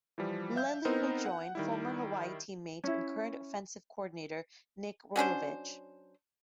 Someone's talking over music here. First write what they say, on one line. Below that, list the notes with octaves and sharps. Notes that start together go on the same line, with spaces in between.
Lelie will join former Hawaii teammate and current offensive coordinator Nick Rolovich.
E3 F3 G3
E5 F5 G6
B3 C4 D#4 A#4 C5
F#5
D#3 G3 E4
C#4 E4
F#3 C#4 D4 C5